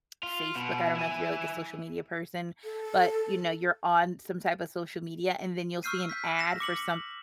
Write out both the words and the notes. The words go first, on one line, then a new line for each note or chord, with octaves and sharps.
Facebook? I don't know if you're, like, a social media person, but, you know, you're on some type of social media, and then you'll see an ad for some
F4
B2
E4 G#5
A4
C#6 E6 F6 G6 C7 D#7
G6 B6
A#6 E7
D6 C#7 F#7